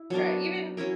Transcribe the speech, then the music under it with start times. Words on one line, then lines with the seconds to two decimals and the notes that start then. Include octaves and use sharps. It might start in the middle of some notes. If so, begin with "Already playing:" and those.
Right, even
Already playing: E4
0.10 F#3 B3 D4 A#4
0.77 F#3 C#4 E4 A#4